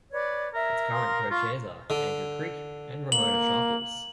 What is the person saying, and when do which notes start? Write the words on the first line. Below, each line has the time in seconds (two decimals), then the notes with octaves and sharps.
Its current Co-chairs are Andrew Creak and Ramona Sharples.
0.12 B4 C#5 D5
0.54 A#4 E5
0.91 F5 C6 D#6
1.31 F4 F5 C#6
1.90 D3
3.12 A#3 F#7